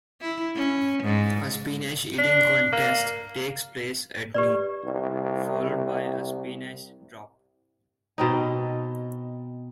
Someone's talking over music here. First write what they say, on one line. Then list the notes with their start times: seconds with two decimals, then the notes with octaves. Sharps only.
A spinach eating contest takes place at noon, followed by a spinach drop.
0.21 E4
0.55 C#4
1.03 G#2
2.18 D4
2.72 A#3
4.34 G4 B4 D5
4.84 C2
8.18 B2 C4 D#4